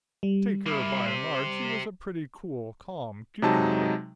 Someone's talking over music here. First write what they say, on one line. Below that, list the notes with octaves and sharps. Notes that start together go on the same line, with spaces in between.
Take her by and large, she was a pretty cool, calm cucumber.
G3
A#3 E4
G4 C5
C3 F#3 G#3 D#4 A5